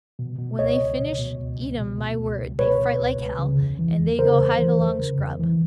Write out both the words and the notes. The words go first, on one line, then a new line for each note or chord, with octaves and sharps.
When they finish eat ’m, my word, they fright like hell, and they go hide along scrub.
B2
B2
C#2 C#5 D#5
C#2
B2
B2
C#2
C#2
B2
B2
C#2
C#2
B2 B4 C#5
B2
C#2
C#2
C#3
E2
E3
E2
C#3 A#4 C5
E2
E3
E2
C#3
E2
E3